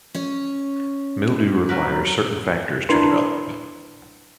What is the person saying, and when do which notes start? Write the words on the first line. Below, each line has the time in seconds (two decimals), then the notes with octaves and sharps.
Mildew requires certain factors to develop.
0.14 C#4 C#5
1.69 F#3 A#4 B4
2.89 D4 E4 A#4 B4 C6